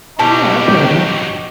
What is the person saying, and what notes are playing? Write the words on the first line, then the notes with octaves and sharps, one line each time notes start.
Oh yeah, I've heard of that.
G2 B2 F#3 C#4 G4 A5